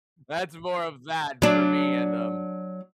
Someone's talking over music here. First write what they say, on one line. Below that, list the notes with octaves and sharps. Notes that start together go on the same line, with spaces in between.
That's more of that for me, and, um,
F#3 D4